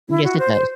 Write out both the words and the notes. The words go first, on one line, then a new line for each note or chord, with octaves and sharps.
Yes, it does.
E4
F#4
C5
C5